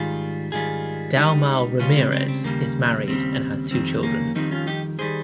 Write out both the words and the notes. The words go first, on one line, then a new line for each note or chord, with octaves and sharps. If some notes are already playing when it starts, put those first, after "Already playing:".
Dalmau Ramirez is married and has two children.
Already playing: G#2 D#3 G3 F4 G#4
G#2 D#3 G3 F4 G#4
C#2 C#3 G3 D#4 G4
C#2 C#3 G3 C#4 F4
C4
C4
C4
D#2 C#3 G3 A#3
D#2 C#3 G3 C4
F2 D#3 G3 C4
A#3 C#4
F2 D#3 G3 C4 D#4
C#4 F4
D#4 G4
D#3 G3 G#4 C5